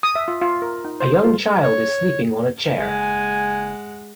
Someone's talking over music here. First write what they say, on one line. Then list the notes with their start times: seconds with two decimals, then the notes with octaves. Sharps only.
A young child is sleeping on a chair.
0.03 D#6
0.15 E5
0.28 F4
0.42 F4
0.62 A#4
0.85 D#4
1.00 C5
1.24 F4
1.62 C#5
2.78 F#1 G#3 F#5 G#5